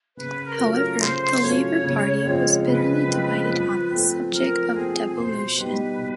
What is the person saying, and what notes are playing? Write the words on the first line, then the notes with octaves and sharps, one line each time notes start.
However, the Labour Party was bitterly divided on the subject of devolution.
C#3 B4
A#4
F#3 A3 C#4 F4
A#4
C#3 C5
F#3 A3 C#4 F4 C#5
C#3
F3 G#3 C4 F4
C#3 B4
F3 G#3 C4 F4
F3
A3 C4
F3 A#4
A3 C4 G#4
B2 C5
G3 B3 D#4 G4 B4
B2